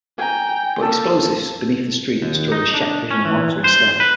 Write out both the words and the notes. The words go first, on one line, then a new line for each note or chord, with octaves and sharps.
But explosives beneath the street destroy the ScheckVision monitor instead.
G5 G#5 A#5
A#3 A4
D#2
D#4
D4
C#4
E3
C5
B4